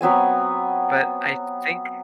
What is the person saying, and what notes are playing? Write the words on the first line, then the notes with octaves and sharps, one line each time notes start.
but, I think"
F#3 B3 C4 G#5